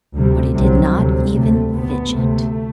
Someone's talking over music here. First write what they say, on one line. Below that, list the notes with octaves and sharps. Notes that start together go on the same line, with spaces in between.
But he did not even fidget.
D2 C3 G3
C2 C3 F#3
D2 C3
D2 C3 A3
D2 C3 B3
D2 C3 A3